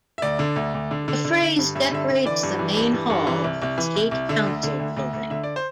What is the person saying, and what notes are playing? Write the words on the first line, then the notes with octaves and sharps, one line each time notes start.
The phrase decorates the main hall of State Council Building.
E5
D2 D5
D3
D2
D2
D3
D3
D3
D3
G2
G2 E5
D3 E5
D3
E3 D5
G2
E3
G2
E3
G2
E3
C2
C2
E3
C2
C2
D3 E5
D2
D3
D2
D2
D2
D3 E5
D5
C5